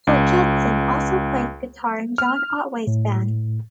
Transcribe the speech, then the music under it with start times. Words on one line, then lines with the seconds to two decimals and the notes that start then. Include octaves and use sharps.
Torkildsen also played guitar in John Otway's band.
0.07 C#2
2.18 F6
2.87 A2